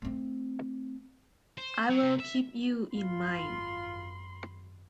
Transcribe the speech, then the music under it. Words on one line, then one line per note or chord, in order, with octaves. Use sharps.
I'll keep you in mind.
A3 C4
C5
F#3
C3
E5
G#1 F#2 F4 B5 C6